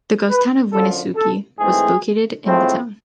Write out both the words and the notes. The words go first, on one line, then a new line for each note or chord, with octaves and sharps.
The ghost town of Winooski was located in the town.
B4
F#2 D3 F3 A4
A4
G#2 E3 A3 C4 G#4
A2 F3 G#3 C4